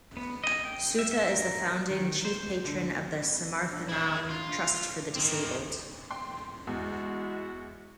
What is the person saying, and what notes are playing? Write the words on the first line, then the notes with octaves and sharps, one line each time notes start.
Soota is the founding chief patron of the Samarthanam Trust for the Disabled.
B3
D#5
G5
E5
E5
A#4
D#3
C5
D3
E4 G#4
F4
D#3 C4
G5 C6
E2 G#3 E4 F#4